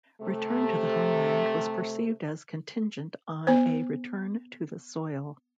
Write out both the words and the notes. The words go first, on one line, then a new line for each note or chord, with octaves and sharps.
Return to the homeland was perceived as contingent on a return to the soil.
C3 A3
B3 C5